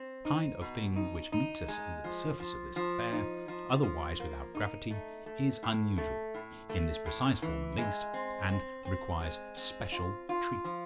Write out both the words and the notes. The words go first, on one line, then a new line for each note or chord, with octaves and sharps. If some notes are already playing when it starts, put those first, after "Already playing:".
"The kind of thing which meets us under the surface of this affair, otherwise without gravity, is unusual--in this precise form at least--and requires special treatment."
Already playing: C4
D#4
B2
D#4
D#4
G#3
F3
F3
F3
D#4
F3
F3
A#3
D#4
A3
A3
A2
A3
A2
A3
A2
E3
G#3
C4
C4
C4
G#3
C4
F4
F4
F3